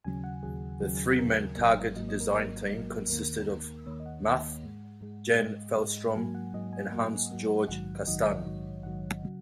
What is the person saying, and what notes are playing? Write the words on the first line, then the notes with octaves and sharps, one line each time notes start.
The three-man Target Design team consisted of Muth, Jan Fellstrom and Hans-Georg Kasten.
D#2 C#3 F#3 G#5
F#5
D#2 C#3 F#3 G#4
D#2 C#3 F#3
D#2 C#3 F#3 A#4
G#1 G#2 F#3 A#3
G#1 G#2 F#3 A#3 D#5
D#5
A#4
G#1 G#2 F#3 A#3 A#4
G#1 G#2 F#3 A#3
D#2 D#3 A#3 A#4
D#2 D#3 A#3
D#2 D#3 A#3 C#5
D#5
F#5
D#2 D#3 A#3 F#5
G#2 G#3
G#2 G#3
G#2 G#3 D#5
G#2 G#3
G#2 F#3 A#3 G#5
F#5
G#2 F#3 A#3 D#5
G#5
G#2 F#3 A#3 F#5
G#2 F#3 A#3
A#1 G#2 D#3 F#3 F#5
A#1 G#2 D#3 F#3 D#5
C#5
A#1 G#2 D#3 F#3
A#1 G#2 D#3 F#3 F#5
C#3 F#3